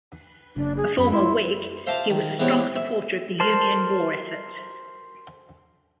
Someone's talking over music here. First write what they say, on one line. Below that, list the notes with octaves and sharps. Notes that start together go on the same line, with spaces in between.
A former Whig, he was a strong supporter of the Union war effort.
F#1 D4
G#4
F#2 B5
E4 C6
C5 E5 F5 A5 A#5 D6
D#3
E3 G#3 B3 C4 G4 C#5
E5
A#4 C5 A5